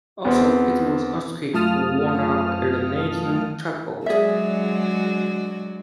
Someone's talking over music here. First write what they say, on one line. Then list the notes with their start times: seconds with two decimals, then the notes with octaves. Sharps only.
Also, it was Earthquake who wound up eliminating Tugboat.
0.25 E2 B3 C4
1.53 F#2 A3 F4 A5 D#6 F6
4.06 F#3 G#3 D4 F#4 G#4 D5 E5